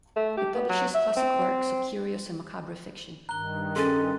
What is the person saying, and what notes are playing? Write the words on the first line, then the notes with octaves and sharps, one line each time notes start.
It publishes classic works of curious and macabre fiction.
A3
G4
B3
F#3
E5
C4
G2 D#3 A#5 F#6 G7
C#4 G#4 A4 C6 A6